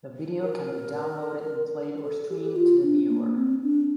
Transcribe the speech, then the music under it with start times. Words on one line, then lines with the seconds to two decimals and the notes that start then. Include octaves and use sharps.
The video can be downloaded and played or streamed to the viewer.
0.42 A#4
1.98 A#4
2.02 A4
2.30 G4
2.38 A4
2.46 G4
2.56 F4
2.83 D4
3.09 A#3
3.36 C4
3.63 D4